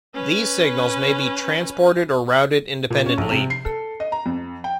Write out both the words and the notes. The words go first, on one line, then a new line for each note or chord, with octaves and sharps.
These signals may be transported or routed independently.
C#4 B4
A#2
C#4
A#1
C3
C7
A4
D#5
A#5
F2
G5